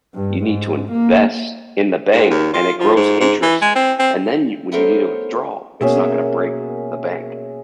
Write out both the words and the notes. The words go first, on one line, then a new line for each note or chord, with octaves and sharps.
You need to invest in the bank, and it grows interest, and then you when you need to withdrawal, it's not gonna break the bank."
G2
G#2
A#3
G#2
D#2
F4
F3
G#2
G#2
E3
G#3
C4
C4
A3 B3 A4 A#4 C5 C#5
B2 A#3 C#4 F#4 G#4 E5